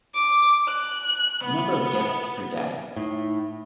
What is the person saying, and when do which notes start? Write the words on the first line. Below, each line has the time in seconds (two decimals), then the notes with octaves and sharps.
Number of guests per day.
0.14 D6
0.68 F#6
1.44 B3
2.96 A2 D#4